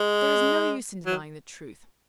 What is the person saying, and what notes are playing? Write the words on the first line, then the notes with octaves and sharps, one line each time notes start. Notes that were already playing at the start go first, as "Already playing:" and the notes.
'There is no use in denying the truth.
Already playing: G#3
F#3